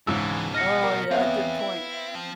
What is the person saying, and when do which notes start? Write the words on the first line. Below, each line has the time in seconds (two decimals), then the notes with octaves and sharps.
Oh, yeah. Good point.
0.07 C#2 G#2 B2 E3 F3 E6
0.54 D#5 F#5 F6 A#6 C#7
0.83 A#4
1.11 E2 B3 C4 C#5 E5 F5
1.60 E4
2.15 F3